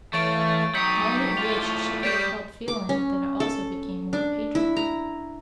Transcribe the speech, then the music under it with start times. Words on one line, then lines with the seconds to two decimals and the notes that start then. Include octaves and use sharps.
Margaret wished she could have helped feeling that it also became more patronising.
0.13 E3 A3 C#5 F5 C#6 A6 D7
0.74 F#3 D#4 G5 D6 G6 B6 C#7
1.38 A2 F4
2.03 G3 C#5 D5 D#6 G6 B6 D7
2.68 D6
2.89 C#4
3.40 A4
4.13 D4
4.55 E4
4.77 A#5